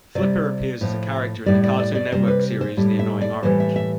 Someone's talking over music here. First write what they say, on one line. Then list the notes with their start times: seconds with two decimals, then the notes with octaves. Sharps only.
Flipper appears as a character in the Cartoon Network series The Annoying Orange.
0.15 C3 G3 D5
0.81 A2 F3
1.46 A2 G3 D5
1.63 D5
1.80 D5
1.95 D5
2.12 C3 G3 C5
2.28 B4
2.61 C5
2.77 A2 G3
2.99 E5
3.21 D5
3.43 A2 E3 G3 C5
3.60 E5
3.76 E5